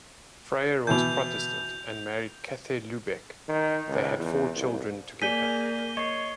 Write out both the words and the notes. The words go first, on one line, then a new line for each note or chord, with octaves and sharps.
Freyer was Protestant and married Käthe Lübeck; they had four children together.
B2 E3 G6 F7
D#3
C#2
E2
C2
A#3 G#4 D5 G6 B6 D#7 G7
C#5 D#5 C7